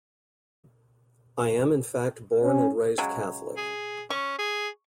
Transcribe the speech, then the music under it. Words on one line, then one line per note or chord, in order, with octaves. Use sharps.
I am in fact born and raised Catholic.
C#4
C#3 F#3 G#3
G#4
C#4 C#6
G#4